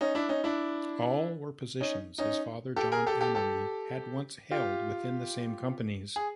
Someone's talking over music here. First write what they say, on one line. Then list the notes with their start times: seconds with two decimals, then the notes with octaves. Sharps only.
All were positions his father, John Amory, had once held within the same companies.
0.01 C#4 D#4
0.15 D4 E4
0.29 C#4 D#4
0.44 D4 E4
1.81 C#4 D#4
2.18 C#4 D#4
2.76 G4 A4
2.92 G#4 A#4
3.07 G4 A4
3.21 G4 A4
3.35 G4 A4
4.51 F4 G4
6.16 G#4